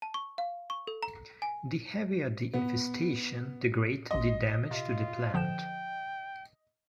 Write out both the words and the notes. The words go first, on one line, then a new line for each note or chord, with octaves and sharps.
The heavier the infestation, the greater the damage to the plant.
A5
C#6
F5
C#6
A4
A#5
G#5
B3
A1 D#5 C6
C3 F4
D3 F3 G5 E7